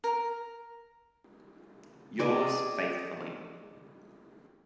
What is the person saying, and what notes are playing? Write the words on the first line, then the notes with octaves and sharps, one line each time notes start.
Yours faithfully.
A#4
G#4 D5 D#5 G#5